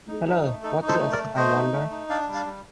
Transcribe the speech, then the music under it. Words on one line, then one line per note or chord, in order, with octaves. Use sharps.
Hello, what's this, I wonder.
D#4
D#4
A3
D#4 A4
D#4
A4 C5
A3
A#4 D5
A3
A3 C5 D#5
D#4
A3
D#4
D4 D5 F5
G3
D5 F5
G3